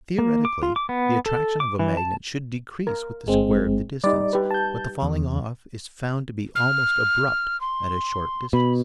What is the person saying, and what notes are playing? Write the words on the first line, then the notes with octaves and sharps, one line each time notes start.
Theoretically the attraction of a magnet should decrease with the square of the distance, but the falling-off is found to be almost abrupt at a short distance.
A#3
D6
F4
D6
B3
A4
D6
E3
A5
A#4
G1 G#3 C4
G3 D#4 D5
G4 B4
A5 G6
E2
F6
C6
B2 B5